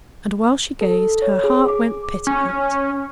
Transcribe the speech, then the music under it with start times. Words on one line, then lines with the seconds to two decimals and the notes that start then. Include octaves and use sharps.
And while she gazed her heart went pitapat.
0.81 A4
1.22 C#5
1.44 G#4
1.68 D6
2.27 C#4